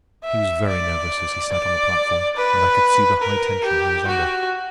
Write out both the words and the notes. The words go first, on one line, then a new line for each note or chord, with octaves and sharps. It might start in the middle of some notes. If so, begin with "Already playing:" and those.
He was very nervous as he sat on the platform, and I could see the high tension he was under.
E5
D5
D5
B4
A#4
G4
F#4